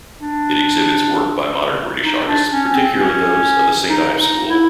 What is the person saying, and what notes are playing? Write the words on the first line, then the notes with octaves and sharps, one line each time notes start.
It exhibits work by modern British artists, particularly those of the Saint Ives School.
D4
D#4
D4
C#4
C4
C#4
D#4
D#4
E4